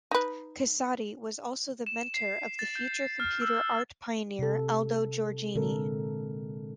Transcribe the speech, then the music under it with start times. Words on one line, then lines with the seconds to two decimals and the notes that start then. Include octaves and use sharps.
Casati was also the mentor of the future computer art pioneer Aldo Giorgini.
0.11 D#4 B4
1.86 E7
2.14 C7
2.59 A6
2.75 G6
3.20 F6
3.42 E6
4.39 C3 A4
5.55 A#2 D3 G#3 C4 A4 A#4